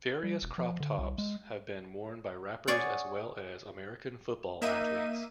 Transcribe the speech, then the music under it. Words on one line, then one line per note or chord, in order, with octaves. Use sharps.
Various crop tops have been worn by rappers as well as American Football athletes.
G3
E1
F3
D3
C2
G#3
G#4 C#5 D5 F#5
A#3 D#4 E5 D#7